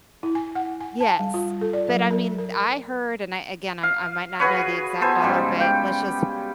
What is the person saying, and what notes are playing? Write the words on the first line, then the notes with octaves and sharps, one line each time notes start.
Yes, but, I mean, th I heard, and I again, I I might not know the exact dollar, but let's just,
E4
G#5
F#5
G#5
A5
G3
F4
A4
D5
F#3
A#4
A#4
F5
F#4 G#4 B4 C#5
B3 A4 C5 G#5
G#2 C#3 G3
G5